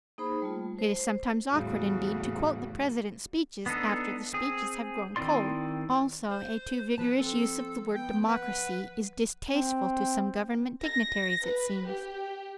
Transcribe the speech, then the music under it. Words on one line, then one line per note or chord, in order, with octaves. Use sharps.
It is sometimes awkward indeed to quote the President's speeches after the speeches have "grown cold." Also a too vigorous use of the word "democracy" is distasteful to some government dignitaries, it seems.
A#3 D#4 G#4 C5 B5
G3 A3 F4
C5
E2 A2 C#3 G3 F#4
B3 D4 D#4 A4
C4 G#4
D#3 C4 E4 D5 C6
C5
F3 B4 A5
C4 A4
B3 G5
B4 F#5
C4
A#6
B4
G4